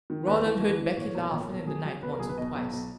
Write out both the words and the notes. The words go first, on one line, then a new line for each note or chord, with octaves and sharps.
Rawdon heard Becky laughing in the night once or twice.
D#3
D#2 B4
E3
E3
E3
A#2 C#5
B1
A#2
B1
F#3 G#4
F#3
B1 B4
A#4
B1 G#4
B4
B2 D#5
B1
B1